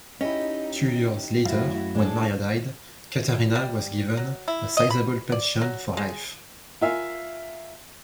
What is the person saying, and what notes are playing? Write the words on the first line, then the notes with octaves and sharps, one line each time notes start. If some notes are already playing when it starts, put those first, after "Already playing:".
Two years later, when Maria died, Catharina was given a sizeable pension for life.
C#4 D#4 E4 G4 D#5
F#2 A3 E4 F#4 F5
G#3 A3 D4 G#4 A4
G3
F#3
E4
D#5
B5
D5
F#3
G#3
F4 A#4 E5 F5 G#5